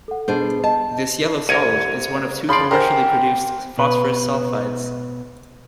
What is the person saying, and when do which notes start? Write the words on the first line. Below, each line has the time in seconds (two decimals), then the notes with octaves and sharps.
This yellow solid is one of two commercially produced phosphorus sulfides.
0.08 A4 F#5
0.28 B2 D4 G#4 C5
0.64 D#5 A5
1.49 C2 A#4 G#6 C#7 D#7
2.49 C#3 F3 D5 B5 C6 C7
2.71 G#2 G4 A#4 C5
3.78 B2 B4